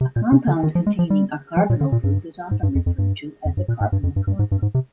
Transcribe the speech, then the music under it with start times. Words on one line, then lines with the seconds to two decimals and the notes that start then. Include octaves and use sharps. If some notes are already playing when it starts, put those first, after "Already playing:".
A compound containing a carbonyl group is often referred to as a carbonyl compound.
0.01 C3
0.16 A#2
0.32 C3
0.47 D3
0.63 D#3
0.75 F3
0.87 G#3
0.99 F3
1.10 G3
1.57 F3
1.70 A#2
1.81 D3
1.92 A#2
2.04 G2
2.51 G#2
2.63 G2
2.75 F2
2.86 F2
2.98 G2
3.45 F2
3.57 G2
3.68 A#2
3.81 G#2
3.92 G2
4.03 F2
4.16 G2
4.27 G2
4.39 G#2
4.51 G2
4.62 G#2
4.75 C3